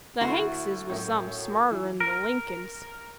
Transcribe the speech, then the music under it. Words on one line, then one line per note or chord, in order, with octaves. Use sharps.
The Hankses was some smarter'n the Lincolns.
D2 E4 F#4 C6
F#2 A2 F#3
E3
A#4